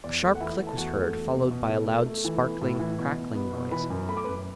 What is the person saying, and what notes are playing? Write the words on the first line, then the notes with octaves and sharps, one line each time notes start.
A sharp click was heard, followed by a loud, sparkling, crackling noise.
E2 D5
A3
F#5
E3 E4 E5
A3
A5
E2 F#4 F#5
A3
E2
B2
B2
A3
A3
A3
E3
B3
A2
E3
B2
B2
B3
B2
E3 B4 B5
F#2
A3 B5
D6
F#2 B4 B5